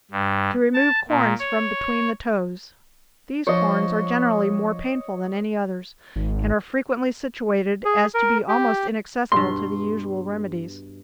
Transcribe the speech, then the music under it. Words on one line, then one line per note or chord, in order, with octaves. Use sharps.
To Remove Corns from Between the Toes.--These corns are generally more painful than any others, and are frequently situated as to be almost inaccessible to the usual remedies.
G2
A5
A#2
C#5
F3 D4 C5 C#5 D#5
G#1
G#4
A#4
G4
G2 B2 C6